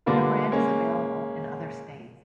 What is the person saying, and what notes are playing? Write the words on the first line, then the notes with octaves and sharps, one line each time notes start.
The brand is available in other states.
D3 G3 A#3 D4 F4 B4
G#3 A#3 C#4